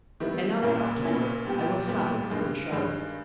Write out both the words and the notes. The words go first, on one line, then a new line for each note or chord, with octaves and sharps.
An hour afterward I was saddled for the show.
D#3 G3 B3 E4
A#2 A#3 C#4 E4
A#2 A#3 C#4 E4
A#2 G3 B3 G4
A#2 G3 B3 G4
G2 D#3 G#3
G2 D#3 G#3